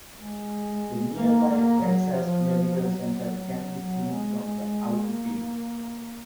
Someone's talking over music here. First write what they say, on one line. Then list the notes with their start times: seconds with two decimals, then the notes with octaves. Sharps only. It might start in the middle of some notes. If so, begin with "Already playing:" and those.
The nearby Texas Medical Center can be seen from the outfield.
0.19 G#3
1.17 A#3
1.50 A#3
1.82 F#3
2.15 F3
2.80 F#3
3.77 F#3
4.10 G#3
4.42 G#3
5.07 A#3